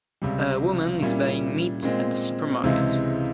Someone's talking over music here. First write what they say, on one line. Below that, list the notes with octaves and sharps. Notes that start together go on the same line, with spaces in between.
A woman is buying meat at a supermarket.
C#2 C3 G3
A#2 G3 C#4 E4
A#2 G#3 C4
C#2 C3 E3 G#3 E4